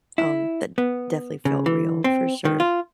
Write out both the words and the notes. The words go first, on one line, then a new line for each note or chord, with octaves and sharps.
um, that definitely felt real, for sure.
E4
B3
C#3
E3
C4
D#3
F4